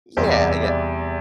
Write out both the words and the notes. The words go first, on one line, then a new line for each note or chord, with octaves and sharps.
Yeah, yeah.
E2 C3 G3 C5
D5
E5
D5